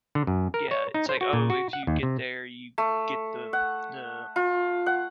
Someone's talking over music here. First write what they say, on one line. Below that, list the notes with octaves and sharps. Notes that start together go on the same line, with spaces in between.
Yeah, it's like, "Oh, if you get there, you get the the
D3
F#2
A#4
C#5
D#4
C5
F#4
A#2
F#4
F#5
D#2
C3
A3
F#5
F4
F#5